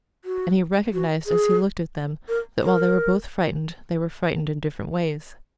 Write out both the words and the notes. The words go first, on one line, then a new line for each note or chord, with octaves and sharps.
And he recognized as he looked at them that, while they were both frightened, they were frightened in different ways.
F#4
F#4
G#4
A#4
A#4